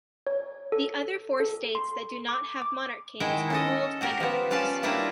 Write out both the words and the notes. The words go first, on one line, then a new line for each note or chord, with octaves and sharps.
The other four states that do not have monarch kings, are ruled by governors.
C#5
A4
A4
C6
D6
D6
D#3 G#3 E4 F#5 G5
C#4 A4 D#5
F#4 G4 A#4
F3 B3
B3 C#4 F4 D5 F5 A5
G3 A3 A#3 D4 E4 F4